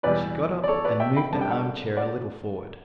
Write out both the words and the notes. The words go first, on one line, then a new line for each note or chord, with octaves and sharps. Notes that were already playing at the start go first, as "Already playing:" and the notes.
She got up and moved an arm-chair a little forward.
E2 B2 G3 B4 D5
D5
A4 C#5
B4 D5
E5 G5
G5 B5
F#2 D3 G3 A5
G5
F#5 A5
D5 F#5